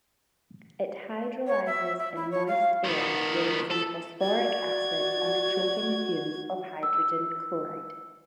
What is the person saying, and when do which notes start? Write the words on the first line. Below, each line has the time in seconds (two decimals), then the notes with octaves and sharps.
It hydrolyses in moist air releasing phosphoric acid and choking fumes of hydrogen chloride.
1.47 C#5
1.66 E5
1.98 E5
2.15 E4
2.31 C#5
2.47 F5
2.85 D#3 B3
3.71 A4
4.22 F#4 D5 G#6
6.83 E6